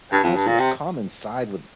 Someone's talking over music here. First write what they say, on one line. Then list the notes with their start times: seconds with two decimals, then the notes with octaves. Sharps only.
a, honestly, a common side with
0.12 G2
0.23 F2
0.35 G2
0.47 A#2
0.59 C3